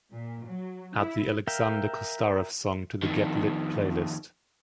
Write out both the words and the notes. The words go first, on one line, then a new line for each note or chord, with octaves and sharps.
Add the alexander kostarev song to the get lit playlist.
A#2
F#3
E4
A#4 E5 F5 G5
F2 D#3